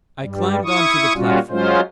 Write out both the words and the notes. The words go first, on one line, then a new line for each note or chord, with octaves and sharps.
I climbed onto the platform.
G2 G3
E4 C#6 D#6
A#2 G3 C#4 F4 F#4
F#3 G#3 C#4 F4 C5